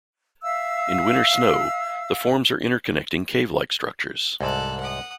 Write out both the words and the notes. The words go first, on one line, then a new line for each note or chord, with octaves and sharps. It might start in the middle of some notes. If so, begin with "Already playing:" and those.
In winter snow, the forms are interconnecting, cave-like structures.
E5 F5 E6
C2 G#2 A4 F#6
F#5 D#6